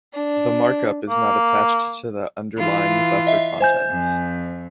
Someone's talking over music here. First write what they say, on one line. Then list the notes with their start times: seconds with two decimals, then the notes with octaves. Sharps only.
The markup is not attached to the underlying buffer contents.
0.14 D4
1.09 A#3
2.58 E3 F4
3.27 D#5 E5
3.61 C5 G#5 G6
3.91 F2